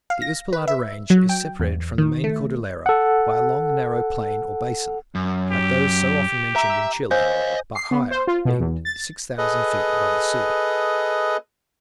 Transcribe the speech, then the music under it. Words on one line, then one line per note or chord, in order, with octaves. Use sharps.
The Uspallata range is separated from the main Cordillera by a long narrow plain or basin, like those so often mentioned in Chile, but higher, being six thousand feet above the sea.
F5
A#6
B4
E5
F#3
G5
E2
D#3
A3
A4 F#5
F#2
G4
E5 A#5
C5 D#5 F5 G#5 G6
C7
B3
C5
F4
B2
E2
A6
G#4 A4 B4 D#5